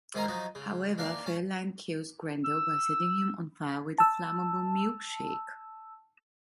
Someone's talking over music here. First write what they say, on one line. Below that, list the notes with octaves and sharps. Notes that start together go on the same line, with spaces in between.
However, Fairlane kills Grendel by setting him on fire with a flammable milk shake.
G#2 D#3 C#4 D#5 F5 A#5
F3 F#3 D#4
C#3
A#3 D4 F5
C#4 A5
E6
A5 E6